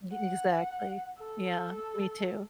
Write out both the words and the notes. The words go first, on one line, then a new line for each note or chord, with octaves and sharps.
Ye Exactly, yeah, me too.
F#5
A4